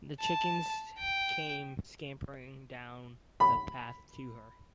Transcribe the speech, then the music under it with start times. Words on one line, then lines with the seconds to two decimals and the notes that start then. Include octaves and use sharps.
The chickens came scampering down the path to her.
0.20 A5
0.99 G5
3.40 B5